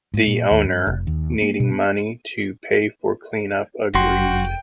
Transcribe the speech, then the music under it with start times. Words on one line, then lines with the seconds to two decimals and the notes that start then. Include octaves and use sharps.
The owner, needing money to pay for cleanup, agreed.
0.14 G#2
0.27 A#2
0.51 D#2
0.64 G2
0.87 F1
1.07 D#2
1.42 A#3
1.60 B2
1.72 B3
3.95 F1 F#2 F#4 G5 C6